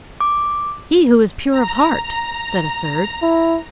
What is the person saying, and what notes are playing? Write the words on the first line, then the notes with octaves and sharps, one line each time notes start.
"He who is pure of heart," said a third.
D6
A#5
E4